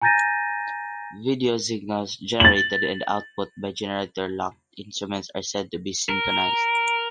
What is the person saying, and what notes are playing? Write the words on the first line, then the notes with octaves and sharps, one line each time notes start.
Video signals generated and output by generator-locked instruments are said to be syntonized.
G#5 A#5 G6 A6 A#6 D#7
A6 F#7
A#4